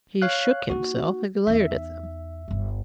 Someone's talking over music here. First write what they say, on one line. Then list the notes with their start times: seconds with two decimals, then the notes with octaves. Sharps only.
He shook himself and glared at them.
0.22 C#5 F5 F#6
0.70 A#3 D#4 F#4
1.47 E2 D#4 E5
2.48 G1 G2